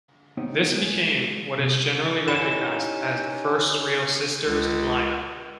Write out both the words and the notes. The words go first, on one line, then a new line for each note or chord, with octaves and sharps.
This became what is generally recognised as the first real Sisters line-up.
B3 C4 D#4 G4 C5 C#5
G#3
C2 G#2 C3
C#4 D#4 E4 G4 G5 E7
C#2